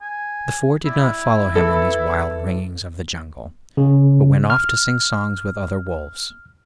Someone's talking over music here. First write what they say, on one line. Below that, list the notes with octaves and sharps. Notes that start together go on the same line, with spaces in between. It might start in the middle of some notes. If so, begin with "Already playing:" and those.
The Four did not follow him on these wild ringings of the Jungle, but went off to sing songs with other wolves.
G#5
G3 E4
E3 A4 D5 B5
C#3
F6